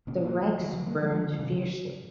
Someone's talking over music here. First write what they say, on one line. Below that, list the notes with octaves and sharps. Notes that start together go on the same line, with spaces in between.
The wrecks burned fiercely.
A#2 C#3
F#3 A#3
F3 G#3
D#3 F#3
C#3 F3
F#3 A#3
F3 G#3
F3 G#3
F3
C3 D#3
C#3 F3